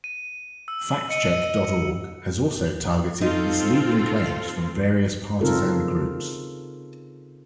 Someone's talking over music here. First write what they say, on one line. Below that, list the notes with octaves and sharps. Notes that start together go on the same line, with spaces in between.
FactCheck dot org has also targeted misleading claims from various partisan groups.
D#7
E6
D#5 E6 C#7 D#7
C4 D#4 F4 A4
C#3 C4 D#4 F4 A4 A#4